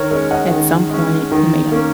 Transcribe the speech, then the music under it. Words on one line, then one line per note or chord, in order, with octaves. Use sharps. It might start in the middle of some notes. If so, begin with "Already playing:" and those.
at some point, it may not
Already playing: D#3 A#4 C#5
G#3 C#4 A#4 C#5
D#5 F#5
D#3
G#3 C#4
D#3
A#3 C#4